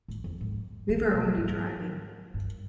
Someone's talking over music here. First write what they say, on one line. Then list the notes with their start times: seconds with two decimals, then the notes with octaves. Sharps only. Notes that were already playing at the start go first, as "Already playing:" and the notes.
We were only driving.
0.08 G#2
0.24 F2
0.41 G#2
0.89 D#3
1.13 B2
1.37 G#2
2.34 G2